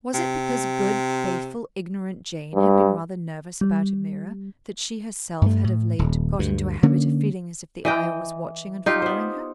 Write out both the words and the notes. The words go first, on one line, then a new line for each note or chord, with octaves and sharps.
Was it because good, faithful, ignorant Jane had been rather nervous about Ameerah that she herself had of late got into a habit of feeling as if the Ayah was watching and following her.
C3
G2
G3
G2 A3
A2
D#1
D2 G2
D3 A#3 C#4
E3 D#5 G5
D#4 F4 G4
B3 C5